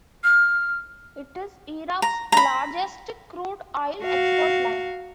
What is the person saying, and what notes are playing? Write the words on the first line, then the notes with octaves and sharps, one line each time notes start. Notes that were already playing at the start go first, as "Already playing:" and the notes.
It is Iraq's largest crude oil export line.
F6
A#5
A#5 B5
F#4 F5